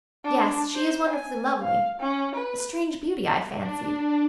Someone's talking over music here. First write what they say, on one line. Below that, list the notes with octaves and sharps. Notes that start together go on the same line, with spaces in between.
Yes, she is wonderfully lovely--a strange beauty, I fancied.
D4
C5
G#5
F5
C#4
B4
D4